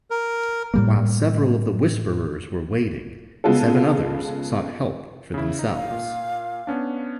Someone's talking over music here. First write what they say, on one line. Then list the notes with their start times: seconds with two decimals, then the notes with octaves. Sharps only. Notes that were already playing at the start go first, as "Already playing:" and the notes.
While several of the whisperers were waiting, seven others sought help for themselves.
0.11 A#4
0.74 A2 G3 A#3
3.44 C#3 G#3 B3 F4 A4
5.34 C#3 E4
5.59 D#4
5.74 F5
5.91 A#2
6.67 B3 C#4 D4